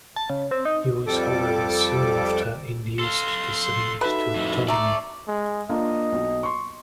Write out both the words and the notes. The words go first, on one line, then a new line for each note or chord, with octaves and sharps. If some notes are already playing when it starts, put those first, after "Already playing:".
He was, however, soon after, induced to submit to Ptolemy.
A5
C#3
C4
D#4
F2 G3 A4 D6
A4 F5 C6
C6
D#4 F#4 A4 B4 E5
F2 A2
A3 D5 A#5
G#3
A#3 D4 F4 D#5
B1
C6 C#6